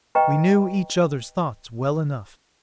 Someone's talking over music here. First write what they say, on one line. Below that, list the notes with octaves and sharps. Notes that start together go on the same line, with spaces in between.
We knew each others thoughts well enough.
B4 D#5 G5 A#5 C#6